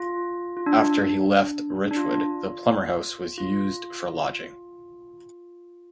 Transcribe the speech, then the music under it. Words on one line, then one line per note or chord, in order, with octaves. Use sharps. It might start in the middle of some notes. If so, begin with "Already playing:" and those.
After he left Richwood the Plummer house was used for lodging.
Already playing: F4
F4
D4
D4
D4
F4
F4